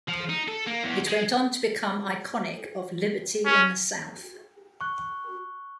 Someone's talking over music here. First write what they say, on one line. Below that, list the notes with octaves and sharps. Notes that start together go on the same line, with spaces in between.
It went on to become iconic of liberty in the South.
F3
D#4
A4
A#3
E2
G#3
C#4
C#6 F#6